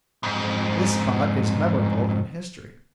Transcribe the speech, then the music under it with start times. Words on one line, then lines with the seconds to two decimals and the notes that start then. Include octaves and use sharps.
This spot is memorable in history.
0.23 F2 G#2